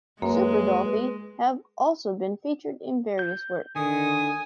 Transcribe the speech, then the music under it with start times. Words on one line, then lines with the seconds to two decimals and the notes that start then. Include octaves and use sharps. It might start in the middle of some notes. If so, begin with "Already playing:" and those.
Super Dollfie have also been featured in various work.
0.22 F#2 G#3 A#3 B4
3.19 G6
3.76 D3 D#3 G#5 D#6